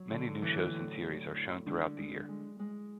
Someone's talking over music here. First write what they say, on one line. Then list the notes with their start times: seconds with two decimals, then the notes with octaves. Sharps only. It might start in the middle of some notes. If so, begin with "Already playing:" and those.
Many new shows and series are shown throughout the year.
Already playing: F#3
0.10 D3
0.42 A2 E3
0.73 A2
1.04 F#3
1.35 E4
1.66 D3 G#3
1.98 G#3
2.29 G#3
2.59 G#3